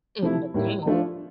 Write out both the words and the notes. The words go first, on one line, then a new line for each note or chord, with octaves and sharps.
out and about.
C3 F3 A3 E4
A2 G3 A#3 E4
F3 A3 D4 F4